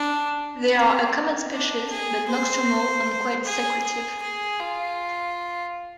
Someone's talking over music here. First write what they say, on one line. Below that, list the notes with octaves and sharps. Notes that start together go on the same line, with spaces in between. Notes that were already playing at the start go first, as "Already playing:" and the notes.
They are a common species, but nocturnal and quite secretive.
Already playing: D4
C4
D4
G#4
C5
G#4
G#4
G#4
F4